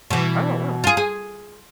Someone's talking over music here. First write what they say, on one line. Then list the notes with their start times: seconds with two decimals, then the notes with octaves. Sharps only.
Oh, wow.
0.10 B2 E3
0.84 F4 G#4
0.97 G#4